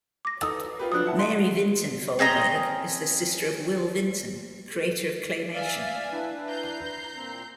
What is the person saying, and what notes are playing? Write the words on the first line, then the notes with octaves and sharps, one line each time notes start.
Mary Vinton Folberg is the sister of Will Vinton, creator of Claymation.
D6 A#6
D#4 A4 D#6 E6
F4 G4 B4
F3 F#3 D4 D#6 F#6
E4 F#5 A5
C6
C4 C#4 D#5 A#5
D5 E5 F5 G#5
D4 E4 B4
A#5 G6 C7
A#2 C4